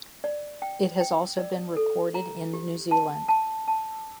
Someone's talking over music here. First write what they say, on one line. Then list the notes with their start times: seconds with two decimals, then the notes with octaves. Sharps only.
It has also been reported in New Zealand.
0.24 D5
0.62 G5
1.01 G5
1.39 D5
1.77 A4
2.14 A#5
2.53 G4
2.91 A5
3.28 A5
3.68 A5